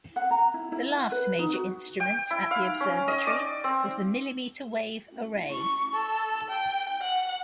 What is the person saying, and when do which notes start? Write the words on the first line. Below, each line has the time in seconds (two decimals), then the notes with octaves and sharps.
The last major instrument at the observatory is the millimeter-wave array.
0.16 F#5
0.31 A#5
0.54 E4
0.72 E4
0.90 F#5
1.12 B4
1.39 D#4
1.53 F#4
2.00 G5
2.31 E4
2.51 F5
2.80 C#4
3.08 D#5
3.27 D5
3.64 C4
5.51 C#6
5.94 A4
6.50 G5
7.02 F#5